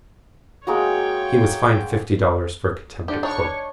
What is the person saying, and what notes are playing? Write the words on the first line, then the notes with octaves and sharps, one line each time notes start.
He was fined fifty dollars for contempt of court.
G#3 A#3 F#4 C#5 G5
D3 G4
D4 D#4 C#5 C#6